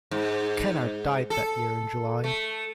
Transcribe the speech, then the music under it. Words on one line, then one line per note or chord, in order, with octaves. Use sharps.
Kennard died that year in July.
G#2
A4
A3